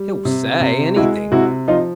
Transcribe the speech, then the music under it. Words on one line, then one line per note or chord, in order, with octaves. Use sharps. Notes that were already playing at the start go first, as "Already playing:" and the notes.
He'll SAY anything.'
Already playing: G3
C3
C3
G#3 E4 F#4
C3 E4 F#4
F3 D#4 F4